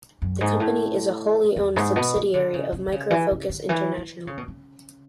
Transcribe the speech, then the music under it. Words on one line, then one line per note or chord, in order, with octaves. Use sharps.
The company is a wholly owned subsidiary of Micro Focus International.
F#2
G#2
A2
E2
G#2
B2
E3
D3
C#3
C#3
D3
C#3
E3
C#3
D3
E3
E3
C#3
B2
C#3